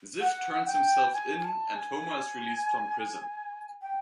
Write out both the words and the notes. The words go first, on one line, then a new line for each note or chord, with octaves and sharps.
Ziff turns himself in, and Homer is released from prison.
F#5
G5
G#5
G#5
A5
G#5
G5